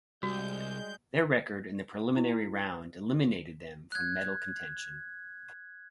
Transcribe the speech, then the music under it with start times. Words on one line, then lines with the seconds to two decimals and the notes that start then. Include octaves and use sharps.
Their record in the preliminary round eliminated them from medal contention.
0.23 C2 G3 G#3 F#4 G6
2.17 E4
3.92 F#6 G#6